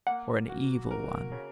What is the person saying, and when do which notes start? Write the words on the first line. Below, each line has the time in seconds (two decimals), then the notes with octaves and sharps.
Or an evil one?
0.07 A#3 F#5
0.49 F#4
0.91 A#4
1.32 C#3